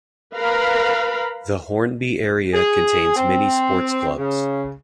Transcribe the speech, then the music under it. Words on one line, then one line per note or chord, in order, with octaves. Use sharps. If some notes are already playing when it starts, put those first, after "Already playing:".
The Hornby area contains many sports clubs.
A#4 B4 F5 A#5 B5
G#4
C4
C#3